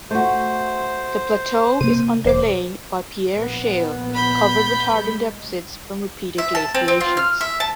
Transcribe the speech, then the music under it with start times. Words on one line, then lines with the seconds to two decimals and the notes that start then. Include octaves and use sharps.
The plateau is underlain by Pierre shale covered with hardened deposits from repeated glaciations.
0.11 A3 F#4 C5
1.81 C3 A#3 D#7
2.25 E1 B1 C5 D6
3.33 A#1 B3
4.14 B5 G6
4.92 G#3
6.38 E5
6.55 A5
6.75 C4
6.88 C4
7.00 F4
7.17 F6
7.41 E5
7.60 A5